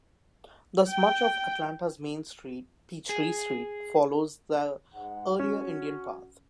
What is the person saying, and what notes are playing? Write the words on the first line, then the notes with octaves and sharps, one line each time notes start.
Thus, much of Atlanta's main street, Peachtree Street follows the earlier Indian path.
G5
G#4
G#2 G#3 F#5
C#4 F#4